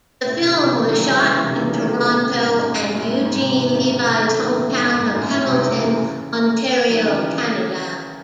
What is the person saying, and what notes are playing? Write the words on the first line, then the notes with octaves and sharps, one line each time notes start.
The film was shot in Toronto and Eugene Levy's hometown of Hamilton, Ontario, Canada.
A2 C#3
C3 D#3
C3 D#3
C#3 E3
D#3 F#3
E3 G#3
E3 G#3
C#3 E3
C3 D#3
C#3 E3
D#3 F#3
F#3 A3
E3 G#3
A2 C#3
A2 C#3
G#2 C3
G#2
F#2
F#2 A2
G#2
G#2
G#2 C3
C3 D#3
A2 C#3
C3 D#3
F#3 A3
D#3 F#3
A2 C#3
G#2
F#2
G#2
F#2 A2
F#2 A2
G#2 C3
A2 C#3
C#3 E3
D#3 F#3
C#3 E3